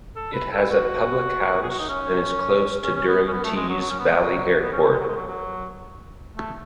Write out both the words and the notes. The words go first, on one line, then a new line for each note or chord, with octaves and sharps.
It has a public house and is close to Durham Tees Valley Airport.
A4
B4
A4
E4
F#4
G#4
F#4
D#4
C#4
C#4
C#4
B3
C#4
B3
A3
G#3
F#3
F#3
C#4
B3
G#3
F#3
B3
C#4
A3
G#3
F#3
G#3
F#3
F#3
A3